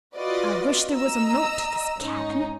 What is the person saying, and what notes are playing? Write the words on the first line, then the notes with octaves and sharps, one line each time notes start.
I wish there was a moat to this cabin.
F4 F#4 B4 D5 D#5
D#5 A#5 E6
G#2 C#4 D#4